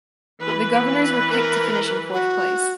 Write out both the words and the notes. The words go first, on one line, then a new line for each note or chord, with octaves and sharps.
The Governors were picked to finish in fourth place.
E3 B4
A#4
F#4